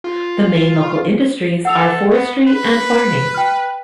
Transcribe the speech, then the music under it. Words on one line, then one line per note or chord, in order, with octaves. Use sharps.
The main local industries are forestry and farming.
F4
A4 F#5 E6 F7
B3
B4
G5 F6